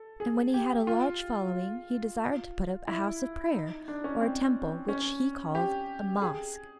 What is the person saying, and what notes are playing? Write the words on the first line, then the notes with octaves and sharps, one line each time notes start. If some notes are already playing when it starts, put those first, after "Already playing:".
And when he had a large following he desired to put up a house of prayer, or a temple which he called a mosque.
Already playing: A4
G#4
G4
F4
E4
D#4
D4
C#4
C4
C#4
G4
G#4